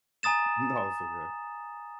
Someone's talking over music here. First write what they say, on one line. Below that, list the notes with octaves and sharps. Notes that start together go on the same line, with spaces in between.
No, it's okay.
G#5 A#5 D#6 A6 E7